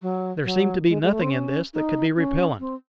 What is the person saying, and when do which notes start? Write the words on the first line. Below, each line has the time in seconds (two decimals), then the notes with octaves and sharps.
There seemed to be nothing in this that could be repellent.
0.02 F#3
0.44 F#3
0.88 G#3
1.02 G#3
1.12 A3
1.21 C4
1.30 C#4
1.74 D#4
2.17 C#4
2.60 C4